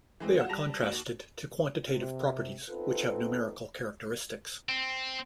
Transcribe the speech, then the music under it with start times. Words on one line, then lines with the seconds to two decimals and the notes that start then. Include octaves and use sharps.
They are contrasted to quantitative properties which have numerical characteristics.
0.20 E3 G#3 C4
0.37 F4 F#4 F#5 E7
0.49 G3 A5 A#6 F7
0.82 D#2 F#4 F#7
1.90 C3
2.69 B3 C4 D#4 F4 A4 B4
4.69 C4